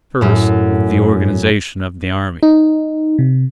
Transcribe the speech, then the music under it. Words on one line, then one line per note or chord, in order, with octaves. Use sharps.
First, the organization of the army.
F#2 A2
D#4
C3